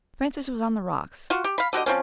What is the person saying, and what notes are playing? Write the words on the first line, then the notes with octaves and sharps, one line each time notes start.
Francis was on the rocks.
F4 F#4
G4
F5 B5
D3 F#4 G4 D#5
F3 C4 C#4